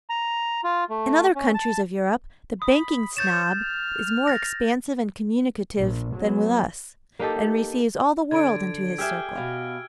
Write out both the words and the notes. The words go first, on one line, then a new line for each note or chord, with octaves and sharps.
In other countries of Europe, the Banking Snob is more expansive and communicative than with us, and receives all the world into his circle.
A#5
F4
A3
C#4
A5
B5 D#6
C#5 G6 A6 E7
F6
A6 A#6
A#1
F#3 B3
A#3 D#4 G4 A4
D3 G#6 D7
G4 G#4 E5 E6 F6
B2 F5